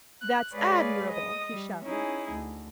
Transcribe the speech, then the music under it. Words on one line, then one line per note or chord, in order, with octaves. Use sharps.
"That's admirable!" he shouted.
F#6
G#3 G#4 B4 C#5 D5 F5
D#5 D#6
G3
C#4 D#4 E4 G#4
D2